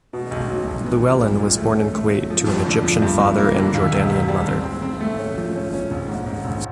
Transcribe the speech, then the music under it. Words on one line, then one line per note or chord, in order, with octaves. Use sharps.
Llewellyn was born in Kuwait to an Egyptian father and Jordanian mother.
B2
B1
F#3
B1
B3
A#2
G3
A#2
A3
C#4
A3
F#3
F3
F2
D3
F3
G2
G2
A#3
D3
D#2
E1
E1
G3
C4
C4
C4
A3
C#4
F3
C#4
C#4
A#1
G#2
G#2
A#1